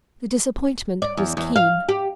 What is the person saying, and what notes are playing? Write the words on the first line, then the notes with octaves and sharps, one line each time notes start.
The disappointment was keen.
D5
E2
E2
F5
G4